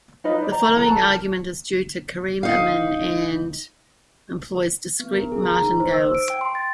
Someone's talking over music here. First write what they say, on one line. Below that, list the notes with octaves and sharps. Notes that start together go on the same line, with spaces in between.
The following argument is due to Kareem Amin and employs discrete martingales.
D#4 F4 B4 D#5
C5 D5
A#5
A4 B4 A#5 B5
A5
A#4
D#4 F5
B3
A#4
G#4
A#5
D#4
C5
E6
D7
G5
C6
A6